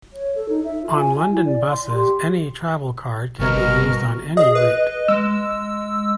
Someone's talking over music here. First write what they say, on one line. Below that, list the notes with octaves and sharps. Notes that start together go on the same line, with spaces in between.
On London Buses any Travelcard can be used on any route.
C#5
A4
D#4
E5
F4
G#5
E4
D5
C6
G4
G1 C2 B2 B3 A#4 C#6 F6
G#4 D#5
B4
G#3 E6